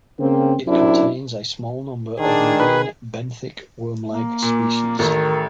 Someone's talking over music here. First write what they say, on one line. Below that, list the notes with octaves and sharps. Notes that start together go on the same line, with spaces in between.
It contains a small number of marine benthic worm-like species.
C#3 A#3 C4
F#2 C3 D4 E4
D#3 D4 G#4
B4
A#3
A#2
A1 D#3 A3